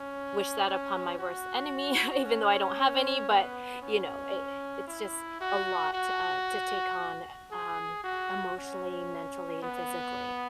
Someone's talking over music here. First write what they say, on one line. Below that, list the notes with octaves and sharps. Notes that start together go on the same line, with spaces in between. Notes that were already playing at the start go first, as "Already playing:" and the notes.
wish that upon my worst enemy even though I don't have any, but, you know, i it's just a lot, uh, to take on, um, emotionally, mentally, and physically.
Already playing: C#4
C#4
F#4
C#4
B3
C#4
E4
F#4
F#4
G#4
F#4
C#4
B3